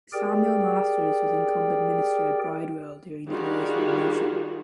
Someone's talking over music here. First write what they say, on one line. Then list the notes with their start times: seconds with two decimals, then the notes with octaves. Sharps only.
Samuel Masters was incumbent minister at Bridewell during the Glorious Revolution.
0.13 G4 G#4 A#4 D5 G5
3.29 D#3 G3 D4 F4 F#4 G#4